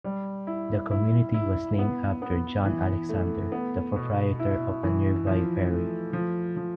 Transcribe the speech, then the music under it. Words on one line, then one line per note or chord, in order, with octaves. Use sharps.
The community was named after John Alexander, the proprietor of a nearby ferry.
G3
E4
E4
E4
B3
B3
E3
A3
B3
B2
E4
E3
F3
A3
F3
F3